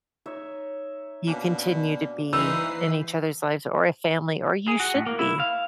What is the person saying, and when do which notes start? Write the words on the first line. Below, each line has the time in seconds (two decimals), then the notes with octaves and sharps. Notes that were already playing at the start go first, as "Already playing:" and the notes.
you continue to be in each other's lives, or a family, or you should be,
0.26 D#4 C#5 E5
1.27 B2 A#3 C#4 D4
2.33 E3 D#4 B4 C5 E6 C7
4.68 G#4
4.80 F#4
4.95 A2
5.06 A#3
5.19 E4
5.40 F5